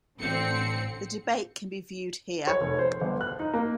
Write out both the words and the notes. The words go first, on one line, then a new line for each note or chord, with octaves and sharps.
The debate can be viewed here.
A1 D3 C4 C#7
C#5
F1
C5
G1
F#6
D#4
A#3